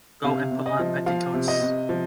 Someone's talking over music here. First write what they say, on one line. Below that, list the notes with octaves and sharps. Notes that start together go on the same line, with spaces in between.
Go and put on petticoats.
C3 F5
C3
D#5
F3
F3 F5
C3
D#5
C3
F3